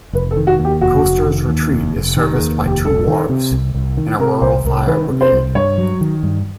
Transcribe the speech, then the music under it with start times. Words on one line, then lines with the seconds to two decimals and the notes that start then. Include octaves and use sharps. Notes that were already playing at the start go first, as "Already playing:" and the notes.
Coasters Retreat is serviced by two wharves, and a rural fire brigade.
0.13 F1 B4
0.31 A4
0.37 D#3
0.47 F#4
0.59 D#2
0.65 G4
0.81 F1 F#4
1.04 F1
1.27 D#3
1.49 D#2
1.72 F1
1.95 F1
2.17 D#3 G4
2.34 G#4
2.39 D#2
2.62 F1
2.67 G4
2.84 C2 A4
3.08 D#3
3.29 C3
3.52 C2
3.74 C2
3.97 D#3
4.20 C3 A#4
4.42 C2 C5
4.65 C2 A#4
4.87 D#3 B4
5.10 C3
5.21 C5
5.33 C2
5.55 G2 C#5
5.78 F#3
6.01 D#3
6.23 G2